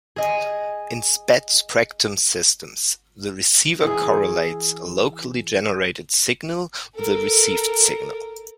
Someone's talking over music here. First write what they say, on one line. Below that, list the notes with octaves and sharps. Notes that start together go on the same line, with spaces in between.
In spread-spectrum systems, the receiver correlates a locally generated signal with the received signal.
G#4 D#5 G#5
E3 G#4
A4 A#4